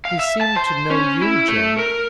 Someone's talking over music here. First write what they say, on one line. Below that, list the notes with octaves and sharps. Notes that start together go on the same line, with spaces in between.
He seemed to know you, Jane.
F5
E5
A5
C5
C#4
E4
A3
A#4